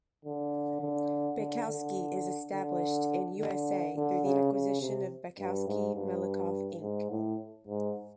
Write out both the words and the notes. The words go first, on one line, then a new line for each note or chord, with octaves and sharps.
Baikowski is established in USA through the acquisition of Baikowski Malakoff Inc.
D3
D3
D3
D3
D3
D3
D3
C#3
C#3
C3
G2
G#2
G2
G#2
A2
G#2